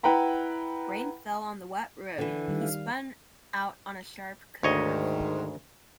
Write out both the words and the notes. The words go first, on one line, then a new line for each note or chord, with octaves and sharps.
Rain fell and on the wet road he spun out on a sharp curve.
E4 B4 F#5 G5 A#5 B5
D3 E3
D#3 G3
F5
D2 G#2 D#3 C#5 D#5